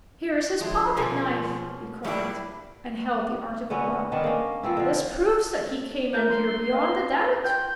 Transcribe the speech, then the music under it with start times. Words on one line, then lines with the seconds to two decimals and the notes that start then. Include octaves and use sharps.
"Here's his pocket-knife!" he cried, and held the article up. "This proves that he came in here beyond a doubt."
0.61 F3 G#3 D4 E4 C6
0.97 B2 A#3 C#4 G#4
2.05 A#1 F#3 G3 D4 E4 B5
3.70 D3 B3 C#4 F#4
4.12 D#3 B3 C4 D4
4.24 A#3 C#4
4.63 F3 B3 C4 E4
4.77 D3 F3
6.13 D4 F4 A#4 G6
6.30 C6
6.72 B4 D#5 F5
7.44 F4 G5 G6